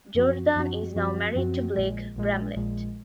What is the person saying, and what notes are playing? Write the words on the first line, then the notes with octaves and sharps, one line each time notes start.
Jordan is now married to Blake Bramlett.
F#2 F3 C4 F#4
F#2 F3 C4 F#4
F#2 F3 C4 F#4
F#2 F3 C4 F#4
A#1 A#2 G#3
A#1 A#2 G#3
A#1 A#2 G#3